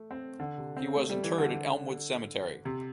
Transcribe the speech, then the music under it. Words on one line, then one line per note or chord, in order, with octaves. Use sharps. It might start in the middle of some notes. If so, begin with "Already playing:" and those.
He was interred at Elmwood Cemetery.
Already playing: A3
C4
D3
C3
C4
A3
G3
E3
D3
C3